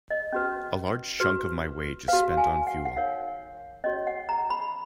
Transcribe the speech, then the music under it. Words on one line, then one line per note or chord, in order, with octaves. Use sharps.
A large chunk of my wage is spent on fuel.
D#5
C#4 F#4 B4
F#4 B4
F#4 B4 F5
G#5
F#5
F#5
D#4 A#4 C#5 F5
C#4 F#4 C#5 D#5
F#5
A#5
B5